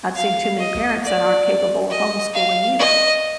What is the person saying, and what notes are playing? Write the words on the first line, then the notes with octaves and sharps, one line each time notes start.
I've seen too many parents that aren't capable of homeschooling either.
F5
D#5
D5
D#5
F5
D#5